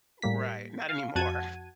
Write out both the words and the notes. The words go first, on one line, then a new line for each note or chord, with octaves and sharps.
Right. Not anymore.
A2 G3 A#3 B6
F5
F2 F#4 F#5 A5 G#6 D#7